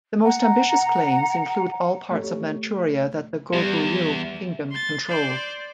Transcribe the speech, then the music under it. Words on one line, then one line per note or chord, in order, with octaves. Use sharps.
The most ambitious claims include all parts of Manchuria that the Goguryeo kingdom controlled.
F#5 A#5
A3 G4 C#5
E2 G3
C6 A6
C5 D5